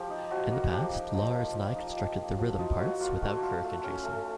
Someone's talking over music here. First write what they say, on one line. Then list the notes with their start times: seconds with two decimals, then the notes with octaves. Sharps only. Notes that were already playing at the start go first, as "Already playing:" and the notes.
In the past, Lars and I constructed the rhythm parts without Kirk and Jason.
Already playing: F3 G4
0.10 D#4
0.31 F3 F#4
0.51 A#3
0.62 F#4
0.72 F3 G4
0.93 D#4
1.15 F3
1.35 A#3
1.56 F3
1.76 D#4
1.97 F3
2.19 A#3
2.38 F3 F#4
2.59 D#4 F4
2.81 F3 F#4
3.00 A#3 F4
3.22 A3 F#4
3.42 F4
3.64 A3
3.84 C#4
4.05 A3